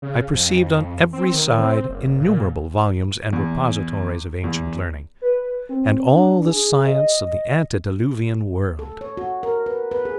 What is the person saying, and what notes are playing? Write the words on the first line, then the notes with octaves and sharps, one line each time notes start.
I perceived on every side innumerable volumes and repositories of ancient learning, and all the science of the Antediluvian world.
C#3
F2
C4
D#3
C4
F#1
A#2
E2
E2
B4
C4
D4
G#4
D#5
A4
C#5
F#4
A#4
B4
B4
G#4